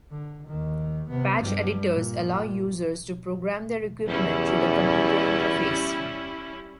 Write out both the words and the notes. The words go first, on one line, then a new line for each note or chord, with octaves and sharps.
Patch editors allow users to program their equipment through the computer interface.
D3
D#2 D#3
C3 B3
G2 G3
A#2
E2 G3 C#4 E4